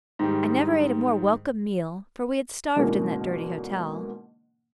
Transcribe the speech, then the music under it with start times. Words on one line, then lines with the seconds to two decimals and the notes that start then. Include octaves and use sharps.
I never ate a more welcome meal, for we had starved in that dirty hotel.
0.19 G#2 D#3 G3
2.76 G#2 B2 D3 E3 A#3 C#4